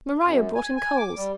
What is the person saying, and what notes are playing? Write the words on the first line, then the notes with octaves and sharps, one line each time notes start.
Maria brought in coals.
F#2
G#5
G#5
D6
G3